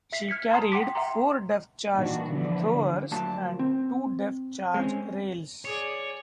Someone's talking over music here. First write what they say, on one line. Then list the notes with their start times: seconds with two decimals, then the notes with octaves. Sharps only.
She carried four depth charge throwers and two depth charge rails.
0.12 E5 B6 C7
0.29 F6 G#6 B6 C#7
0.51 A5 A#5 C6 D#6 C7
0.72 F#5 G5 C6 D6 B6
0.95 E5 F#5 G5 A#5 C6
1.94 A#2 D#3 E3 G3 D4 F#4
2.32 D3 E3 F3 G3 B3 D4
3.12 D2 A#2 F#3 D4 A5
3.59 C4
4.74 G#3 C4 C#4
5.65 G#4 C#5 D5